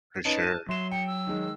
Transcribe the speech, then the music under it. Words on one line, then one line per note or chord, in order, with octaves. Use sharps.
For sure.
C#4 D#4 B4 A5
D#7
F#3 E5 C6 E7
G5 C#7
E6
D#3 G#3